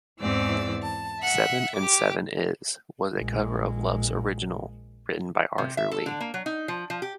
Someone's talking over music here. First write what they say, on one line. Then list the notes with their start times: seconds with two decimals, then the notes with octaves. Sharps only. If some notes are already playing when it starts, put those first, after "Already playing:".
"Seven and Seven Is" was a cover of Love's original, written by Arthur Lee.
0.20 E2 G#2 E3 C4 D5 E6
0.84 A5
1.19 E5 F#5
1.76 G4 D6
3.15 A#1 G#3
5.58 C3
5.77 E5
5.91 A4
6.06 D3
6.20 A#3
6.34 F#3
6.46 D#4
6.68 F3
6.90 F3
7.02 G4